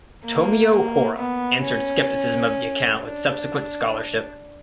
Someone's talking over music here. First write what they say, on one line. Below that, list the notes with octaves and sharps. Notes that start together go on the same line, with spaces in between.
Tomio Hora answered skepticism of the account with subsequent scholarship.
A#3
B3
C#4
D4